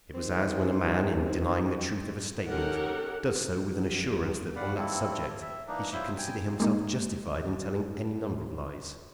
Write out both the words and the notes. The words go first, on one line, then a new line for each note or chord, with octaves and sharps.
It was as when a man, in denying the truth of a statement, does so with an assurance that on that subject he should consider himself justified in telling any number of lies.
D#3 C4
C#4 D#4 G4 A4 A#4 F#5
F3
G1
D5 F5 F#5 B5
D#3 G3 A#3 C4 E4 A4
E5
E3 A#3 D4 D#4
F#3 G3 E4 F4 C5 E5
G5 G#5
G#3 A#3 D#4